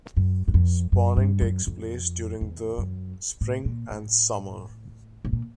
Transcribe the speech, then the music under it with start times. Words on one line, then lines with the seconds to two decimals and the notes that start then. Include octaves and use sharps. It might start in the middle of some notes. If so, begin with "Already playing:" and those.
Spawning takes place during the spring and summer.
0.17 F#2
0.48 F#2
0.54 F2
0.92 F#2
1.17 G2
1.41 F#2
1.67 F2
2.41 E2
2.78 F#2
3.41 A2
3.65 A#2
3.91 A2
5.25 A2
5.33 A#2